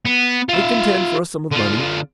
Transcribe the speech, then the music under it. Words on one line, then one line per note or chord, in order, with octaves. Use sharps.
They contend for a sum of money.
B3
F4 E5
D3 F4